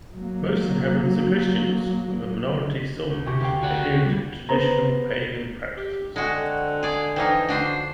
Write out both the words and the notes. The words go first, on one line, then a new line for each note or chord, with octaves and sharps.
Most inhabitants are Christians, with a minority still adhering to traditional pagan practices.
F#3 A#3
D2
C3 C#4 F#4 G4
D2 F5 G5
F#4 D5 F#5
G3
B3 C5 A#5
G4
D3 G#3 C4 F#4 F#5
G#4 D5
E3 F3 D#4 G5
D3 D4 F#4 C5 D5